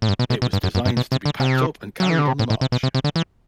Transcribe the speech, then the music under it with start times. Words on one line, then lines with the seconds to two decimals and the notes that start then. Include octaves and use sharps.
It was designed to be packed up and carried on the march.
0.02 A2
0.09 G2
0.19 B2
0.30 B2
0.42 B2
0.53 G2
0.63 F#2
0.75 F#2
0.85 G2
0.97 B2
1.12 C3
1.25 D3
1.40 C3
2.00 F#3
2.10 E3
2.19 D3
2.28 C3
2.39 A2
2.50 A2
2.61 C3
2.72 B2
2.83 C3
2.95 C3
3.04 D3
3.16 E3